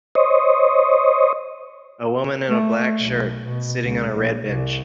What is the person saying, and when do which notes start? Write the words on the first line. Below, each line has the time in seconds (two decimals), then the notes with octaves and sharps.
A woman in a black shirt sitting on a red bench.
0.15 C5 C#5 D#5
2.48 A3
3.00 B1
3.45 B2
3.84 C#2
4.13 A#1
4.45 C2